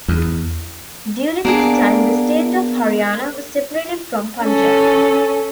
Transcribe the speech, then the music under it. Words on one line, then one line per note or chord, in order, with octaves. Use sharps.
During this time, the state of Haryana was separated from Punjab.
E2
A#3 B3 D4 G#4
C#4 A4